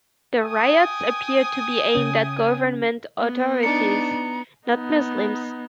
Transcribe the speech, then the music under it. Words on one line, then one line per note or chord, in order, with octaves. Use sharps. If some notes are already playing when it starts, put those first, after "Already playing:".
The riots appeared to be aimed at government authorities, not Muslims.
G5 G#5 D#6
C#3 C#4
B3
D4 D#4 A#5 C#7
B3 D#4